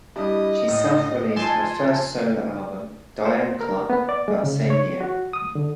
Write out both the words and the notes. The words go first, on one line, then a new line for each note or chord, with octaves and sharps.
She self-released her first solo album, "Diane Cluck", that same year.
G3 D4 E4 D#5
A2
A#1 G#5 A5 C6
C5
A#4
B3
D5
G#3
C#3
C#5
F#4
D#6
D3